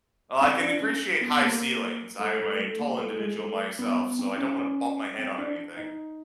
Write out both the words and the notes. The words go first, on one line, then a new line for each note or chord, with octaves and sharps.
Oh, I can appreciate high ceilings, I am a tall individual myself, so I don't wanna bump my head on anything.
C4
D4
C#4
B3
A#3
A3
A3
A3
A#3
A3
G#3
A3
B3
B3
C4
C#4
C#4
C4
D4
D#4